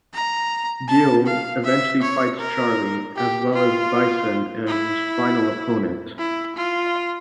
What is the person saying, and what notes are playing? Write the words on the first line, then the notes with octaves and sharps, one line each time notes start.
Guile eventually fights Charlie, as well as Bison as his final opponent.
A#5
A5
F5
E5
C#5
A#4
G4
F4
E4
E4
F4